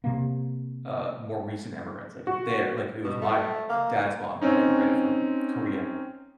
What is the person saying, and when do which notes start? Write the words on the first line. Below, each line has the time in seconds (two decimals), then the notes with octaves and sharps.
uh, more recent immigrants, like, they're like, it was my dad's mom had immigrated from Korea
0.04 C3 A#3
2.27 F#4
3.04 B2
3.21 A3
3.69 A#3
4.42 C4 C#4 D#4